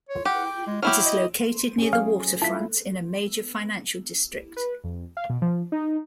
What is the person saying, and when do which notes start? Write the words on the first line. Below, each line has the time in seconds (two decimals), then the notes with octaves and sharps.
It is located near the waterfront, in a major financial district.
0.09 C#5
0.25 G4 F#5
0.46 G5
0.67 G#3
0.82 F#3 E4 G4 F6
1.05 D#5
1.78 C#4 G#4
1.93 F#3 F5 F6
2.42 E4 F4 A5 B6
4.57 B4
4.84 F2
5.17 F5
5.30 B2
5.42 F3
5.72 D#4